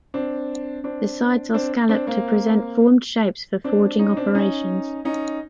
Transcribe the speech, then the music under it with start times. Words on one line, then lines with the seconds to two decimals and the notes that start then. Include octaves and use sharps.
The sides are scalloped to present formed shapes for forging operations.
0.14 C4 D4
0.84 C4 D4
1.54 C4 D4
1.89 C4 D4
2.07 A#3 C4
3.64 C4 D4
3.99 C#4 D#4
4.17 C4 D4
4.35 C#4 D#4
5.05 C#4 D#4